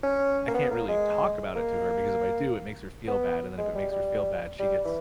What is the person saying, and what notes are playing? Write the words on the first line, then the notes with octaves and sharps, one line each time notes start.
I can't really talk about it to her because if I do, it makes her feel bad, and then if it makes her feel bad, she gets
C#4
A#3
B3
A#3
G#3
A#3
B3
G#3
G3
G3
G3
E3